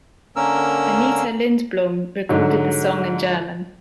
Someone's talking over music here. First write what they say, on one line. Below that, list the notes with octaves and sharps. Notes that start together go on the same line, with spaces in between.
Anita Lindblom recorded the song in German.
D3 A#3 C#4 A#4 E6
G#2 D3 F#3